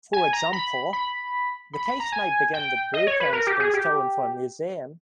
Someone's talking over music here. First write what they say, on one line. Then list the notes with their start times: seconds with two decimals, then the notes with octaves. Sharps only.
For example, the case might begin with blueprints being stolen for a museum.
0.13 G#5
0.33 A#5
0.53 B5
0.93 B5
1.73 B5
1.86 B5
2.00 A#5
2.12 G#5
2.54 G5
2.94 D#5
3.07 C#5
3.20 B4
3.33 A#4
3.47 G4
3.60 G#4
3.74 G4